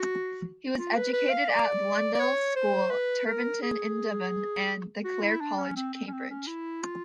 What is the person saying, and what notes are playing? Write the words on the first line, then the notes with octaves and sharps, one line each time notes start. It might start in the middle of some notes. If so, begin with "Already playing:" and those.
He was educated at Blundell's School, Tiverton in Devon, and at Clare College, Cambridge.
Already playing: F#4
F4
B4
B4
F5
D5
D5
C#5
C5
B4
A#4
G#4
F#4
E4
D4
C#4
C4
C4
C#4
C4
C#4
E4
F4